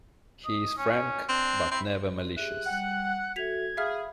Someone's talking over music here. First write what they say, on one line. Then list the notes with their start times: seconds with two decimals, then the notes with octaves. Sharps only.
He is frank but never malicious.
0.44 D#5
0.77 C#4
1.29 C4 D4
1.71 C4 E4
2.37 G4 G#4 E5 F#6
2.66 G3 F#5 G5
3.36 F#4 A4 E5 G#6 B6 F7
3.77 G#4 E5 F5 B5 F6